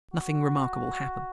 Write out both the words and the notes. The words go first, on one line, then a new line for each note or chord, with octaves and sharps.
Nothing remarkable hapened.
F#4